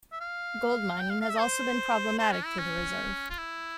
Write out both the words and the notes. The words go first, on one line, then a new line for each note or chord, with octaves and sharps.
Gold mining has also been problematic to the Reserve.
E5
F5
G5
F5
F5
E5
C5
C5
C#4
E4
C#4
F4
E4